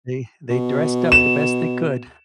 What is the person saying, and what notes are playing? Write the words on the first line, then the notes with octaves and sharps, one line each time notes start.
They they dressed up the best they could.
B2
E7